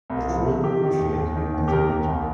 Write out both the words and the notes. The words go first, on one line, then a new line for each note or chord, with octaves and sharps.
A trill, or shake a triplet.
C2
F3
C3
D#3 G4
D#3
D#2
D#2
D#3
D#2
G4
D#3 A#4
D#2
C2